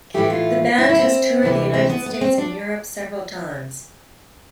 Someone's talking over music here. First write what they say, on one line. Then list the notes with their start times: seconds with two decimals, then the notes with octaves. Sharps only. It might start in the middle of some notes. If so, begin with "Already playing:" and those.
The band has toured the United States and Europe several times.
0.14 A2 E3 A3 G4
0.30 F4
0.78 E4
0.89 E4
0.99 C4
1.42 D2 C3 E3 G3
1.74 C4
1.90 B3
2.06 B3
2.21 C4
2.38 D4